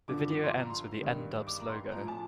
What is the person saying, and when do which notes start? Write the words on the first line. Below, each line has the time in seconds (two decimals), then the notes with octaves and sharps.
The video ends with the N-Dubz logo.
0.08 G2 D3 F3 D6
0.31 D6
0.43 C6
0.57 A#5
0.70 C6
1.01 G2 D#3 G3
1.47 D6
1.59 A#5
1.69 C6
1.92 A2 F3 A#5
2.08 A5